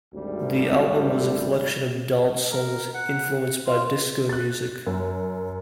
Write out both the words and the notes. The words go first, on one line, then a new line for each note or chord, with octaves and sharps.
The album was a collection of dance songs, influenced by disco music.
G#1 D2 G3
A#4
F#5
F4
F#6 A6
F#2